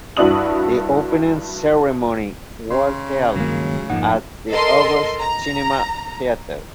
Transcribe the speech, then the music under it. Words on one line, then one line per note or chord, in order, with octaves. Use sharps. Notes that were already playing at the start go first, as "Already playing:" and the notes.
The opening ceremony was held at the August Cinema Theater.
G2 E4 F#4 D5 D#6 F#7
C#3 C6
G2 D#3 F#3 G#3 A#3
F2 G#2 F3 A#3 D#4 F#5
A4 A#4 D#5 C6
A#5